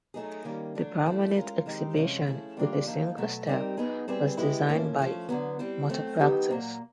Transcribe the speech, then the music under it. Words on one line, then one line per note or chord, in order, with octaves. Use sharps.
The permanent exhibition, "With a Single Step" was designed by Matter Practice.
F#3 A3 C4 D#4 G#4
D#3 G3 A#3 C#4
F#3 A3 D4
F3 A3 C4 E4
G#3 C#4 F4 A#4
D#3 G#3 C4 D#4 G4
C3 F3 G#3 C#4
F3 A3 C#4 E4 G#4
D3 G3 A#3 D4 F4
F3 A#3 D#4
B2 F#3 A3
G3 C4 D#4 G4 A#4
F#3 B3 D#4 G#4
G3 C4 E4 G#4 B4
G#3 B3 E4 G4
A2 F3 A#3 C#4
F3 A3 C#4
D3 F#3 B3
G3 C4 E4
F#3 A3 C4
F#3 B3 D#4 G4 B4
A#2 F#3 A#3